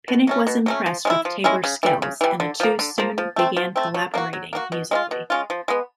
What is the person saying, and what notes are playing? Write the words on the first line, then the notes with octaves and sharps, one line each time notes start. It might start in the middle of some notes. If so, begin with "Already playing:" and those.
Pinnick was impressed with Tabor's skills and the two soon began collaborating musically.
B2
F#3 A3 C#4
B2
F#3 A3 C#4
F3
G#3 C#4 E4
F3
G#3 C#4 E4
C#3
E3 G3
C#3
E3 G3
D3
F3 A#3
D3
F3 A#3
F3
A3 C4
F3
A3 C4
F#3
A#3 D4 F#4
F#3
A#3 D4 F#4
B2
G#3 C#4 F4
B2
G#3 C#4 F4
F3
G#3 B3